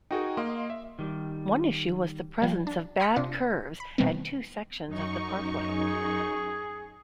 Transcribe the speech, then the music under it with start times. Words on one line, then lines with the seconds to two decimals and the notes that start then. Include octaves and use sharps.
One issue was the presence of "bad curves" at two sections of the parkway.
0.11 D#4 F#4 G#4 A#4 G5
0.37 A#3 D#5 F5 C6
0.70 E5
0.99 D#3 G3
2.42 F3 G3
2.67 D4
3.00 C6 D#6 G6 A#6 B6 C#7
3.16 C3 D4 F4
3.80 B5
3.98 B2 D#3 E3 G3 B3 C4
4.87 F#2 D#4 C#6
5.69 G#4